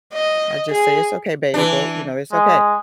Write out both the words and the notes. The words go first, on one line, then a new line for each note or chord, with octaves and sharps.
I just say, "it's okay, baby, go you know, it's okay.
D#5
G#4
E3 D4
G#3